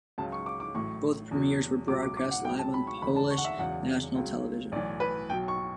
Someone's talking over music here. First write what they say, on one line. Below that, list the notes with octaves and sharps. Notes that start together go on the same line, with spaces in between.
Both premieres were broadcast live on Polish national television.
C#2 C#3 F#3 A5
C#6
D6
D6
A1 A2 F#3 C#6
E2 B2 F#3
C#2 B2 F#3 D6
D6
D6
F#5
C#2 B2 F#3 G5
A5
B5
C#6
E1 D2 D3 B5
A5
C#6
F#5
E5
E1 E2 C#3 F#3 F#5
C#2 C#3 F#3
B1 A2 E3 D5
B4
B1 B2 F#3 G5
C#6